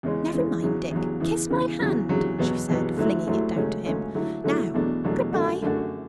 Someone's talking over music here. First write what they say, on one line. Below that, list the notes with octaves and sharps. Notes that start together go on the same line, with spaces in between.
"Never mind, Dick; kiss my hand," she said, flinging it down to him. "Now, good-bye."
E2 C#3 E3 G#3 C#4
E2 C#3 E3 G#3 C#4
E2 C#3 F#3
E2 C#3 F#3
E2 C#3 E3
E2 C#3 E3
E2 C#3 F#3
E2 C#3 F#3
E2 B2 F#3 B3
E2 B2 F#3 B3
D2 D3 F#3 A3 E4
D2 D3 F#3 A3 E4
C#2 C#3 F#3 A3 C#4
C#2 C#3 F#3 A3 C#4
D3 F#3 A3 E4
D3 F#3 A3 E4
E2 B2 F#3 A3 D4
E2 B2 F#3 A3 D4
F#2 D3 A3 D4 F#4
F#2 D3 A3 D4 F#4